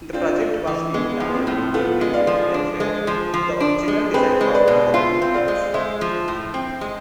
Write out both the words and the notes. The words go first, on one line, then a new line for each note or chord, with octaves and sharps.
The project was named after William Henry Playfair, the original designer of both buildings.
C4 D4 F4
A3
E3
G#3 B3
F3
B3
C4
A2
B3 F4 A4
G#3
D5 F5
F3
D4
G#3
F3
F3
D4
G#3
C4 G#4 B4
G#3
B4 D5
B2
F4 C5 E5
C4
D5 F5
G#3
G#3 C5 E5
F3
A2
C4
G#3